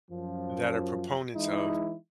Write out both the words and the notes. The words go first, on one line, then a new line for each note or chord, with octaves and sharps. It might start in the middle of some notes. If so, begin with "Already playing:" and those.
that are proponents of
F#2 F3
E3 G#3 D#4 E4